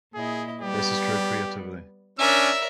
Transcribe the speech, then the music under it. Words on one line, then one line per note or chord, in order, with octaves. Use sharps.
This is true creativity.
A#2 E4 G#4 D#5
G3 B3 G4 D5
C#4 D4 A#4 C#5 D5 E5 E6